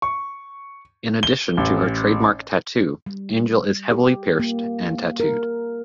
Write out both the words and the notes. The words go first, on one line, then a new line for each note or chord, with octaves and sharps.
In addition to her trademark tattoo, Angel is heavily pierced and tattooed.
C#6
G7
A1
G3
G4
A#3
A#4